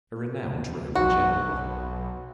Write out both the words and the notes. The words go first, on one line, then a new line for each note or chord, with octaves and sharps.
A renowned Roman general.
B1 F#4